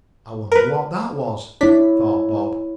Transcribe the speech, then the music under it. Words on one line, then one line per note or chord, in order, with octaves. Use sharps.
"I wonder what that was?" thought Bob.
A#4 B4
D4 E4 C#5 B6